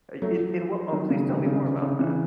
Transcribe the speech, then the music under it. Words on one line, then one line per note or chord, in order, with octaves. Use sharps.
Uh, in in wha uh, please tell me more about that.
F#3 A3
D#3 F#3
C#3
C3 D#3
C#3
C3
C#3
C#3 E3